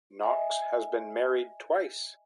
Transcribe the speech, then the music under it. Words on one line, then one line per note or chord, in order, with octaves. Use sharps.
Knox has been married twice.
D#5 E5 G#5